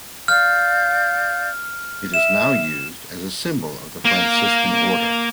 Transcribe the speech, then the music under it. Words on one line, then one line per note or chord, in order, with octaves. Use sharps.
It is now used as a symbol of the Franciscan Order.
D5 F5 F6 G6
E5 E7
A#3